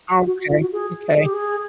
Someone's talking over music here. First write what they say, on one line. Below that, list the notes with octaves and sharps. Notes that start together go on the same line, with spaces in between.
Okay, okay.
F#4
F4
F#4
G#4
G#4
G4
G#4